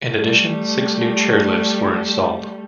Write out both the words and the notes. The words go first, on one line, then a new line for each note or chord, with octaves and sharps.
In addition six new chairlifts were installed.
G3 A3